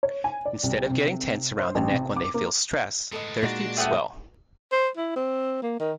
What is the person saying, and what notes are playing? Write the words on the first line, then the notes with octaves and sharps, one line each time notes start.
Instead of getting tense around the neck when they feel stress, their feet swell.
C#5
G#5
D5
C2
C3
C5
A1
C3
D6
A#3
A2 G#3 A4 B4 D#5
A#2 G#3 D4 D#4 F#4
A3 B3 C5 D5 G5
C5
E4
C4
A#3
D#3